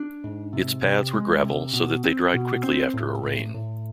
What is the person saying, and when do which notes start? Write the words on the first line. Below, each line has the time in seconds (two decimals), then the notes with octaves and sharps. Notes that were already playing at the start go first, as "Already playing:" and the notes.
Its paths were gravel, so that they dried quickly after a rain.
Already playing: D4
0.24 G#2
0.53 C3
0.84 C3
1.14 G#3
1.43 C3
1.73 B2
2.04 C4
2.34 B2
2.64 C4
2.94 A2
3.23 A2
3.54 A2